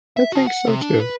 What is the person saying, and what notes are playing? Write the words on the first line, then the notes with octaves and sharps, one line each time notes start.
I think so too.
E5
F#4 A5
F#5
C3
D4
B4